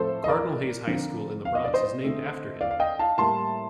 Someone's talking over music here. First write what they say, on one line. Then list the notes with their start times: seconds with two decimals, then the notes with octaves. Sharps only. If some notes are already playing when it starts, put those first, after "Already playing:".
Cardinal Hayes High School in The Bronx is named after him.
Already playing: A2 F3 C4 A4 C5
0.24 D#5
0.29 A#4 D5
0.87 D3 F3 C4
1.45 F5
1.55 D#5
1.65 D5
1.74 C5 D#5
2.03 D3 A3 C4
2.61 D5 F5
2.71 F5
2.80 D#5 G5
2.99 F5 A5
3.18 A2 G3 A#3 A5 C6